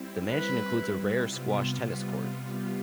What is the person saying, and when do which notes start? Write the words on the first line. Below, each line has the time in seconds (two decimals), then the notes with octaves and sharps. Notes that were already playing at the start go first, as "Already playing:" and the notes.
The mansion includes a rare squash tennis court.
Already playing: G3 C4 E4
0.31 B4
1.21 C3 G3 B3 F4